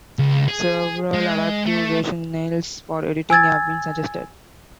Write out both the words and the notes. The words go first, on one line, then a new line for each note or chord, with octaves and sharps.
Several adaptive rationales for editing have been suggested.
C#2
G#4
G#3
A3
G#5 E6 G#6 A6